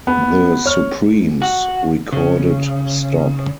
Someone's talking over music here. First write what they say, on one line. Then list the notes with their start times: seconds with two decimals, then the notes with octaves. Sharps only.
The Supremes recorded Stop!
0.07 B3
0.66 C#5 F6
1.42 F#4
2.12 C#3